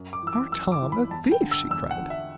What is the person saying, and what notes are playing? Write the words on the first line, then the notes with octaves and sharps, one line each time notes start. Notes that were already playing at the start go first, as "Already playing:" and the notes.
"Our Tom a thief!" she cried.
Already playing: F#2
D6
E3 E6
D6
F#2 E6
D6
E3
B5
E2 A5
G5
D3
E6
E2 E6
F#5
D3
E5